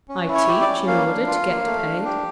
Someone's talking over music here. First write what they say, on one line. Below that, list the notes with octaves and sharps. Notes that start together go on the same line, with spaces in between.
'I teach in order to get paid.'
C#4
E4
C#5
G4
D5
C#4
A#3 F5
D4
F4
A#3
A3
D4
G4